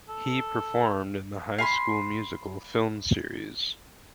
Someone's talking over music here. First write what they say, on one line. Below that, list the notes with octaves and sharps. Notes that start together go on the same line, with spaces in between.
He performed in the "High School Musical" film series.
A4
F5 G#5 B5 C6